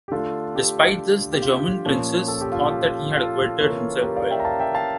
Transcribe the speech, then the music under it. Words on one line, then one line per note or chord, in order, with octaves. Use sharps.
Despite this, the German princes thought that he had acquitted himself well.
G4
D3 A3 D4 F4 A4
G4
G4
F4
A#2 F3 C#4
A4
G4
F4
G4
F4 A4
C#3 E3 A#3 C#4
G4 A#4
D5 F5
E5 G5
A#5
F5 A5
E5 G5
F5 A5